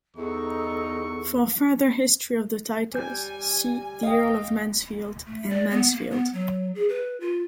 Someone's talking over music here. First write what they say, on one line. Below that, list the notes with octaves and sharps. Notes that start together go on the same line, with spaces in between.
For further history of the titles, see the Earl of Mansfield and Mansfield.
E2 G2 D#4 A4 C#6
G3 G#5 G6
D#5 F5 G5
A3
D5
B3
A#3
B3
F#3
G#4
B4
F4